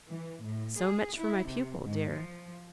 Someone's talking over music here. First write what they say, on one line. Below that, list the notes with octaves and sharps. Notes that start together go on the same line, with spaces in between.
So much for my pupil, dear!
E3
A2
G#4
E4
C3
G#2
F3